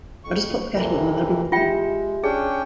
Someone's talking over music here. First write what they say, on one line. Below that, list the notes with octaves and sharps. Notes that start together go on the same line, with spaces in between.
I'll just pop the kettle on and then I'll be with you.
F2 C#6
F2 C3 E3 A#4
G#3 F4 G4 E5 G5
C#4 D4 G#4 G5